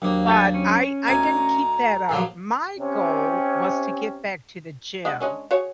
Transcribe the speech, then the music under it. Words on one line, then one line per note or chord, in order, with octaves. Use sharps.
but I I didn't keep that up. My goal was to get back to the gym
D#2 F#3 A#3 D4 C5
G4 A4 G#5
C#4
D2 D#5 G#5 A#5
A#1 F3 F#3
C3 C#4
G#3 D4 F#5
G#3 C#4 D4
F#4 G#4 C#5